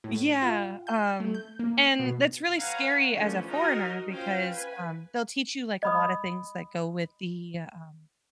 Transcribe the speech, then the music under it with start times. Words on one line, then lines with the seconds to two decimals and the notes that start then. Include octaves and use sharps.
Yeah, um, and that's really scary as a foreigner because, um, they'll teach you, like, a lotta things that go with the, um,
0.04 A2
0.22 D7
0.42 F4
0.87 G6
1.20 A3
1.34 G6
1.59 A#3
1.84 C7
1.99 B2
2.57 B4 C#5 F5 F#5 G#5 A#5
3.11 E3 F3 A3 C#4 D4
3.47 D#4 F#4 A#4 D#5
4.10 C#4 F4 C5 F5 G5
4.51 B4 G#5
5.83 D#5 B5 D#6